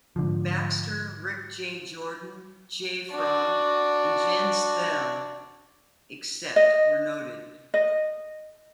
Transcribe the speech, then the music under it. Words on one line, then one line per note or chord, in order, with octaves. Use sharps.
Baxxter, Rick J. Jordan, Jay Frog, and Jens Thele, except where noted.
G#2 D3 F3
D4 F#4
D#5
D#5